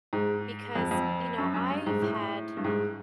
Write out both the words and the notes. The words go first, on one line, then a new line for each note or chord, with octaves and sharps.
because, you know, I've had
G#2
F2
F2
F#2
F#2
G2
G#2
A2
G2
G#2